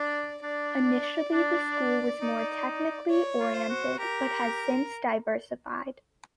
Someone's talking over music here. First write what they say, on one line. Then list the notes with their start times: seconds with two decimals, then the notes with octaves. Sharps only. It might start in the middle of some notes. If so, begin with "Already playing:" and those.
Initially the school was more technically oriented but has since diversified.
Already playing: D4 D5
0.43 D4 D5
1.32 D4
2.21 D#4
3.09 C#5
3.40 F4
3.54 C5
3.69 F#4
3.99 G4 A#4